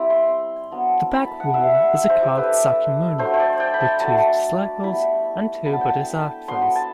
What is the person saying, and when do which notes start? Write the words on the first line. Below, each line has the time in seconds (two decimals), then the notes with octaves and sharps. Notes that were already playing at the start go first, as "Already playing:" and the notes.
The back wall is a carved Sakyamuni, with two discliples and two bodhisattvas.
Already playing: G3 C4 E4
0.10 C6
0.71 F#3 B3 D4
1.13 B5
1.27 A5
1.40 F#5
1.54 G3 C4 E4 E5
1.75 F#5
1.95 E5
2.10 C5
2.23 G4
2.36 A3 D4 B4
3.18 F#3 A3 D4 C5
3.34 C5
3.40 D5
3.60 G5
3.74 B5
3.80 A5
4.00 F#3 A3 D4 A5
4.83 G3 B3 E4 B5
5.65 F#3 B3 D4 B5
5.73 A5
5.81 G5
5.89 A5
6.48 F#3 B3 D4 C6
6.62 B5
6.76 A5